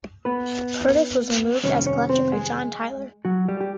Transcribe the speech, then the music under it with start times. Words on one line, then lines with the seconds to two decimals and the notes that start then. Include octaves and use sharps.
Curtis was removed as collector by John Tyler.
0.25 B3 B4
1.63 F2 C3 D#3 G3 B3 C#4 C#5
1.86 C#4 C#5
2.09 C4 C5
2.33 G#3 G#4
3.25 F#3 F#4
3.48 G3 G4
3.61 G4